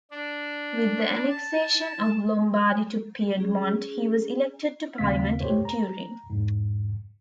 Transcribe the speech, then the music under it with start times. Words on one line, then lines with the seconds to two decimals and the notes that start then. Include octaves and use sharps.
With the annexation of Lombardy to Piedmont he was elected to Parliament in Turin.
0.11 D4
1.30 A5
3.35 C#4 G#4
4.98 D#2 C#3 A3 C4 F5 B6
5.41 G4 A4 C5 C#5
5.65 A#5
6.30 E2 G#2